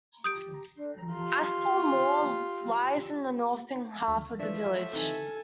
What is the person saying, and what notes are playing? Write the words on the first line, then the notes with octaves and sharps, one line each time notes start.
Aspull Moor lies in the northern half of the village.
G4 D#6 G6 D7
D4
F4 G4
D2
E3 F3 A3 D4 E5
C3 E3 D#4 A4 G#5